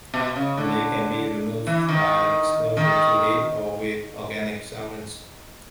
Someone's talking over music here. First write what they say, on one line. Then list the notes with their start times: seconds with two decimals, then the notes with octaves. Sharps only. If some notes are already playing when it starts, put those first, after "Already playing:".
They can be removed by exposure to heat or with organic solvents.
0.14 B2
0.36 C#3
0.57 D3
1.67 E3
1.89 D#3
2.77 D#3